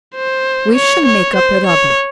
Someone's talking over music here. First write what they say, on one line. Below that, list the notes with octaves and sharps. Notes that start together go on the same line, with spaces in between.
We shall make up a rubber.
C5
C#5
C#5
C5
C#5